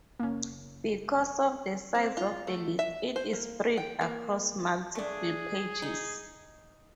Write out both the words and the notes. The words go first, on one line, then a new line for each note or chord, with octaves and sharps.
Because of the size of the list, it is spread across multiple pages.
F#1 A#3 C#4
C4
F4
A3
E5
C5
A#3
G5
A#3
A3 D4 G#4
D#4